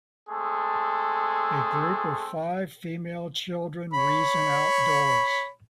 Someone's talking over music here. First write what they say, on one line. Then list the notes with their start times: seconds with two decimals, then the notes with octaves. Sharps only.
A group of five female children reason outdoors.
0.29 G#3 A3 C4 G#4 A4
3.94 C#5 B5